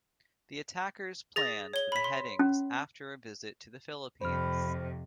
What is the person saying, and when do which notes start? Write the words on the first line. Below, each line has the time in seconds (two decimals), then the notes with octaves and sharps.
The attackers planned the beheadings after a visit to the Philippines.
1.36 G#4 A6 A#6
1.73 C#5 G7
1.92 B5 B6
2.04 C6
2.39 C#4
4.21 F2 C3 C5 B5 F6